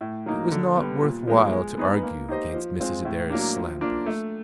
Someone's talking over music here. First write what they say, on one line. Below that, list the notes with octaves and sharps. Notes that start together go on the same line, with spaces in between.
It was not worth while to argue against Mrs. Adair's slanders.
A2
F#3 A#3 D#4
D3
G3 B3
A#2
F3 G#3 B3
G#3
B3 D#4 G#4 B4
A#3
D#4 G4 C5 D#5
F3
G#3 C4 F4
A2
F#3 A#3 D4
F3
A#3 D4 F4
A3